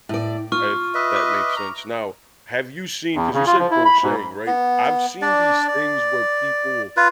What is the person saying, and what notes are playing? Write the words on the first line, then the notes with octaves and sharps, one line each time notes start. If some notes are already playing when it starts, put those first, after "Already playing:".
if that makes sense. Now, have you seen 'cause you said crocheting, right? I've seen these things where people
A2 D5
F4 C#6 F6
B4 D#5 E5
D6
A#5
E2
C#3
F4
F3
E4
B5
G#2
B3
D4 D5
D5
F4 B4